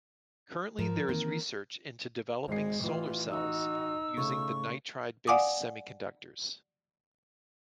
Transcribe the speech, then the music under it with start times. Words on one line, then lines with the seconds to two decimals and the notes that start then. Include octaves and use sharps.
Currently there is research into developing solar cells using the nitride based semiconductors.
0.79 G#2 F3 A#4
1.09 D#3 E3 A#3 C4
2.48 G#1 G#3 C7
2.84 A1 E3 F4
3.31 D#4 F#4 E6
4.17 C#3 A3 C#6
5.27 D5 F5 F#5 G#5 D6 D#6